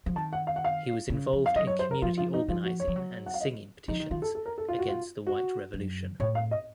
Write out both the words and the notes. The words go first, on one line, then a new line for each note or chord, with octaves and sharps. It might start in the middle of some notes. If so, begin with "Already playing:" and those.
He was involved in community organizing and signing petitions against the White Revolution.
F3
D#3 A5
F#5
F5
F#5
F5
C#3
F3
F5
F#3 D#5
C#5
C5
A#4
F3 F4
F4
D#4
F3 F4
F#4
C#5
F3
F#3
F#5
F5
D#5
F3 D#4
D#3 D#4
D#3 F4
A4
A4
A#4
A4
F4
F#4
F4
F#4
F#2
A2 C#5
F5
D#5